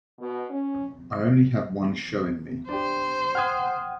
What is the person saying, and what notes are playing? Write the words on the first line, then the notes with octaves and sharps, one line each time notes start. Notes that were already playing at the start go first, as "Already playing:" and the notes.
I only have one show in me.
B2
C#4
D4 G4 C5
F#5 G5 D#6 F6 G#6